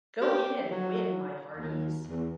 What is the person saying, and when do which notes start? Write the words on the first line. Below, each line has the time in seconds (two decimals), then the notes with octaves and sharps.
Go in and win, my hearties!
0.21 G4
0.71 F#3
1.57 D#2
2.07 E2